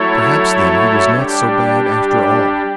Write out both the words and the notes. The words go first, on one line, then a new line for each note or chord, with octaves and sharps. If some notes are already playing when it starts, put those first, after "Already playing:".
Perhaps, then, he was not so bad after all.
Already playing: F#3 A3 E4 A4 C#5
G3 D4 G4